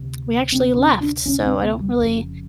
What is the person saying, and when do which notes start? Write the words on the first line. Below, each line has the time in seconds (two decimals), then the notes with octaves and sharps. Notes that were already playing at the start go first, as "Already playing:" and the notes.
we actually left, so I don't really
Already playing: D2 C3
0.52 D2 C3 C4
0.77 C#4
1.01 D4
1.26 D2 C3 C#4
1.40 C#4
1.44 C4
1.62 B3
1.80 G3
1.98 F1 F2 C#3